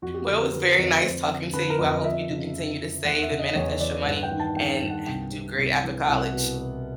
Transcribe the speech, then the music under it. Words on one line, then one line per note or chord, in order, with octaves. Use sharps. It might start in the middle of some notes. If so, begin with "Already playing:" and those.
Well, it was very nice talking to you. I hope you do continue to save and manifest your money and h do great after college.
F2 F#4
G4
D3 A4
A#4
D3 B4
F2
B4
F2 C5
D3
D3 B4
A#4
F2
D#5
F2 E5
C#3
F2
E3
E2 F#5
E5
C#3
D#5
E2 C#5
E3 D5
G2 F#5
G5
D#3
A5
D#3 G5
G2
F#5
C2 G5
C3
C2
E3
C2 F#5
B2
B2